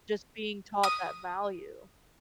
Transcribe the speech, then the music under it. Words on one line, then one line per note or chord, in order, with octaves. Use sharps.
just being taught that value.
D#6